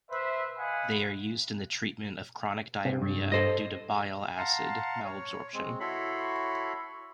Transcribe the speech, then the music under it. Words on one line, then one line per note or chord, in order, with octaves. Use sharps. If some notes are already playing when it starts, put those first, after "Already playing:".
They are used in the treatment of chronic diarrhea due to bile acid malabsorption.
B4 C5 E5
D#5 F5 F#5 G#5 B5
C3
G2
A4 C5 D#5
F5 F#5 A5 A#5 C6
C#5
G#3 C4
E4 F#4 A4 C#5 B5 C6